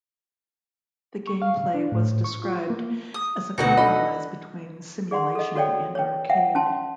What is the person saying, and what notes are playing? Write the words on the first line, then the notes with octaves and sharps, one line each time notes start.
The gameplay was described as a compromise between simulation and arcade.
C#6
F5
D4
A2
C#6
F4
A#3
D#6
D2 B2 B3 D#4 F#4 F#5
D4 A4 D#5 B5
G#4 D5 F#5 C6
A4 D#5
F#4 A4 C#5 D5 G5
C#5 G5
E5 F#5 G5
C#4 G5 A5 C6